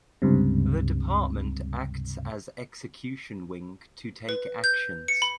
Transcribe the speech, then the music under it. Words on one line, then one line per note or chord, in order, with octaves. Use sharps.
The department acts as execution wing to take actions.
C#2 G2 C3
B4
G6
C#7
B5